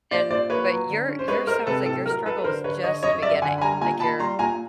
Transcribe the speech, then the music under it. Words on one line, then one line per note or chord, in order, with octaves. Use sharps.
And but your your sounds like your struggle is just beginning, like you're
A#2 C5 D5
A#2 C5 D5
A#3 B4 C#5
F#3
D3
C#4
C5
G#3 B4 C#5
G#3 A#4 C5
C3 A4 B4
A2 A4
F#3 A#4
F#3 A4 B4
B4
D3 A#4 C5
D3 B4 C#5
D3 C#5 D#5
F#2 C#5 D#5
F#2 D5 E5
D3 F#5 G#5
B5
G3 G#5 A#5
A#2 G#5 A#5
A#2 A5 B5
G3 A#5 C6
A#2 G#5 A#5